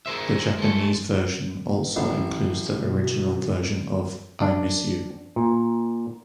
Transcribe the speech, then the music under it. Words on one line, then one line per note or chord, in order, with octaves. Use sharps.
The Japanese version also includes the original version of "I Miss You".
G#4 A#4 C5 E5
G#3 A4
A1
B2
D4
A#2